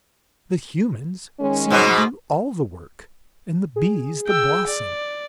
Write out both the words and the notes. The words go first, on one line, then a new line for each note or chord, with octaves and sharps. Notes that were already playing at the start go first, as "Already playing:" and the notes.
"The humans seem to do all the work, and the bees the bossing!"
D#3 G#3 C#4
G#2 B2 B3
G#4
G5 E6
D5